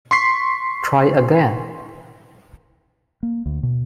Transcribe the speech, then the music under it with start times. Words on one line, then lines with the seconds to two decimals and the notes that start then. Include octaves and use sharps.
Try again?
0.11 C6 C#6 B6 C7
3.23 A#3
3.46 D2
3.63 B2